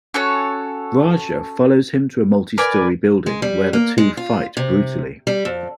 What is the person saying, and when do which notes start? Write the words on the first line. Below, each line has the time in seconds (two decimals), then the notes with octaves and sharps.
Raja follows him to a multi-story building where the two fight brutally.
0.14 C#4 F#4 A4 C#5
2.58 A#4 B4 D5 G#5
3.26 G#3
3.42 G3
3.73 A#3
3.98 G#3
4.17 F4
4.57 C3
5.27 G3
5.45 F2